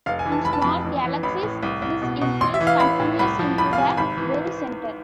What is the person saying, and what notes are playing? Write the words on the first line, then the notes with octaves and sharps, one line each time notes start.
In small galaxies, this increase continues into the very center.
F1 F5
G#5
E3
A5
F1 B5
A5
F2 B5
A1
E3
A1 B5
A2
C2
C2
B2
B2
A1 C6
E5
E3
F5
A1 B5
A2
C2 B5
F3
C2 B5
F5
C3 G#5
G#1 B5
E3